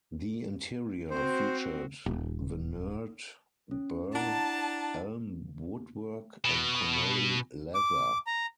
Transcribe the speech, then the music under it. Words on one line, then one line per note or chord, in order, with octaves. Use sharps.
The interior featured veneered burr elm woodwork and Connolly leather.
C4 F#4 C5
D#1
C#4
D4 E4 F#5 A5 A#5
B2
D6
A#5